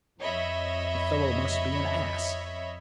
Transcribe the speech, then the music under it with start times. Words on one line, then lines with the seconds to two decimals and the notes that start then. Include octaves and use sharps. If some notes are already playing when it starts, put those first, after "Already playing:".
The fellow must be an ass!
0.19 F2 C#5 D#5 E5 B5